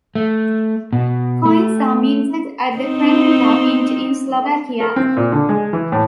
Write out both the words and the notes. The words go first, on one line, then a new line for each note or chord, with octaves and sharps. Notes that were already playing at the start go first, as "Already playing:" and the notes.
Coins are minted at the Kremnica mint in Slovakia.
A3
B2
A3
C4 D#4
A#4
C4
A#2
D3
G#3
E3
A2